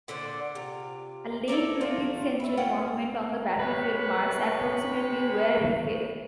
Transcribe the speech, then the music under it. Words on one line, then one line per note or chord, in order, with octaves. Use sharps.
A late twentieth century monument on the battlefield marks approximately where he fell.
A#2 D3 C5 D5
C3 F4
E4 A4 A#4 D5
A3 F4
B4 E5
C#4 F4 F#5 G5
C3 C#4 B4